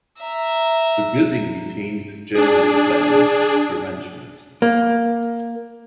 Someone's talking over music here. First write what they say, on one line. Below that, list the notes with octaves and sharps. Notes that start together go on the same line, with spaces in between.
The building retains its general planning arrangement.
E5 A#5
D4 G#4
A#3